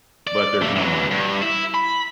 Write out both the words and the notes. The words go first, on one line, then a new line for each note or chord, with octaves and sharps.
but there's no money in that."
D5
A#2 A3
E3 F#3
G2
E4
B5